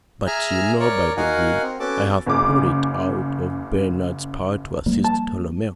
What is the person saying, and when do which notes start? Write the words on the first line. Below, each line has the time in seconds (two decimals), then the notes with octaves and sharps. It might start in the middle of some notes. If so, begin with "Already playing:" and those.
But you know, by the will, I have put it out of Bernard's power to assist Tolomeo.
0.27 G#4 E5 G#5 A#5 F6
0.80 A#4 C#5 D5
1.17 D#4 F#4 A#4 F5 F#5 G#5
1.62 C4
1.80 B3 C#4 F#4 A4 A5 D6
2.26 F#1 C#3 D6
4.86 F3 G3 A#3
5.04 A5